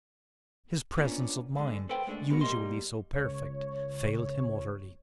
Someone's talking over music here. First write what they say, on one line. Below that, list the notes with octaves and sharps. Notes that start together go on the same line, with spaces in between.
His presence of mind, usually so perfect, failed him utterly.
A#3 B3 C#4 D4 F4
D3 G#3
A4 B4 C5 F5 G5
G#3 A3 D4 A4
G#3 B3 D4 F#4 A#4
B1 G3 A#3 D#5 C6
C#2 C#5